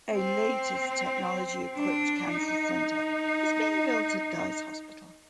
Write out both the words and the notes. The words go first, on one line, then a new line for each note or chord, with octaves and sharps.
A latest-technology-equipped Cancer Centre is being built at Guy's Hospital.
C4
D4
D#4